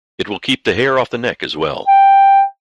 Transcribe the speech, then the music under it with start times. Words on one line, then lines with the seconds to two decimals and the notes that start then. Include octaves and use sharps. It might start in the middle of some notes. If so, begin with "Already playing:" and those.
It will keep the hair off the neck as well.
1.87 G5